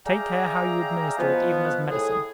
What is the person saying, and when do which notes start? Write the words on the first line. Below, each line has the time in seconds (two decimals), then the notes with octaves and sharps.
Take care how you administer it even as medicine.
0.07 G#4 D5 E5 F5 G5 A#5
1.18 B2 F3 B3
1.91 A2 G#4